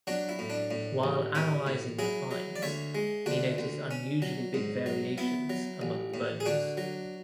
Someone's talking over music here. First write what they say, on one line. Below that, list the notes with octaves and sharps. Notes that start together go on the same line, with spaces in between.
While analyzing the finds, he noticed unusually big variations among the bones.
F#3 D4 F#4
E4
A2
D4
A2
A1
C#4 E4
A2
F#3 E4 G#4
F#3
D5
D2 C#5 E5
G#3
D2 D4 F#4
D2
C#4
F#3
G#2
F#3
B3 E4
F#3
A1
A2
G#4
D3 D4 F#4
F#3